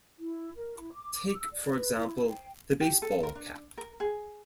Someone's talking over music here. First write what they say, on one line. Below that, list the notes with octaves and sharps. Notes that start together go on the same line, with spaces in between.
Take for example, the baseball cap.
E4
A#4
E4
D6
E6
D5
B4
E4
G5
G4
A4
A#4
D4
A#4
G#4